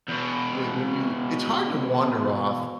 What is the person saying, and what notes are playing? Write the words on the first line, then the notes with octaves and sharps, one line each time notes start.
whe when you it's hard to wander off
E2 B2